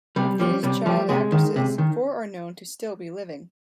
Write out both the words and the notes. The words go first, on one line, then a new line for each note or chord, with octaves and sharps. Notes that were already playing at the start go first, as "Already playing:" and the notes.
Of these child actresses, four are known to still be living.
C3 G3
F3 G3
C3 G3
F3 G3
C3 G#3
D#3
C3
D#3